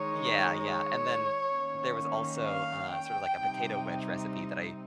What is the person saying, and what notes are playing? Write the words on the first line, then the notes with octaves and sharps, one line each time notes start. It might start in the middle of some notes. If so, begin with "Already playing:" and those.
Yeah, yeah, and then there was also, uh, sort of like a potato wedge recipe that I
Already playing: D#3 G#3 D#4 C#5
C#5
D#3 A#3 C#4
F5
G5
C3 G3 C4 D#4